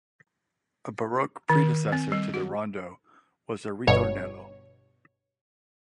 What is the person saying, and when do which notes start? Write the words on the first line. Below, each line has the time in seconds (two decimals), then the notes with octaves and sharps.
A Baroque predecessor to the rondo was the ritornello.
1.50 D#3
1.92 C4
2.12 G3
2.34 F#4
3.87 G1 G2 B2 C#5